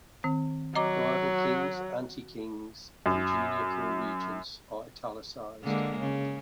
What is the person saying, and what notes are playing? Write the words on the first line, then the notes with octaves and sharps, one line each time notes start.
Rival kings, anti-kings, and junior co-regents are "italicized".
D#3 C4
F#3 D#5 A#5 D6
F#2
D3 G#3 A#3
C#3